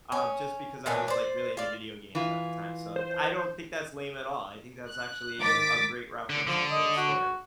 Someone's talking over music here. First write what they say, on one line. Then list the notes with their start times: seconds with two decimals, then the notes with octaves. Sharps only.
um, just because I was, like, really into video games at the time. So d I don't think that's lame at all, I think that's actually a great reference and a great story.
0.12 C#4
0.86 A#2 E3 C#4 D4
1.08 C5 D5
1.57 F4 D5
2.15 E3 F4
2.96 C5
4.90 F#6
5.39 G#2 D#3 D6 A6 B6
6.30 D3
6.47 D3 F3
6.71 D#5
6.97 F#4